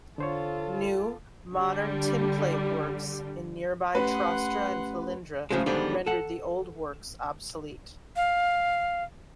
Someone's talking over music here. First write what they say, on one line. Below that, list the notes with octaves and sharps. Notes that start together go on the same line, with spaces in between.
New, modern tinplate works in nearby Trostre and Felindre rendered the old works obsolete.
D3 F4 A4 C5 C#5
D3 G3
A3 C#4 G4 B4 F#5 C6
A2 C#3 F3 F#3 G#3
G#2 D3 D#3 F3 G3 B3
A4 F#5
F5